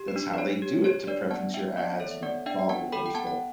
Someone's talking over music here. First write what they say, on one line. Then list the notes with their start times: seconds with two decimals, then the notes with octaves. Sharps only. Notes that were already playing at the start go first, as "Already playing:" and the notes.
that's how they do it, to preference your ads, and follow other stuff.
Already playing: G4
0.08 B4
0.16 D4
0.34 B4
0.38 D4 C#5
0.62 G4
0.84 G4 C#5
1.07 D4 B4 D5
1.30 B3 F#5 A5
1.54 D4 E5 G5
1.77 B3 D5 F#5
2.00 A4 C#5 E5
2.11 E5
2.23 B3 D5 F#5
2.46 D4 E5 G5
2.59 G5
2.69 B3 F#5 A5
2.92 A4 G5 B5
3.06 G5
3.15 B3 F#5 A5
3.27 F#5